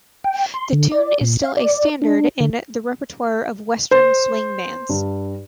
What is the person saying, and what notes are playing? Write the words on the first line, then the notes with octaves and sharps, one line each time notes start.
The tune is still a standard in the repertoire of Western swing bands.
G5
C6
D3
D5
A#2
F5
D5
D4
D3
C5
G2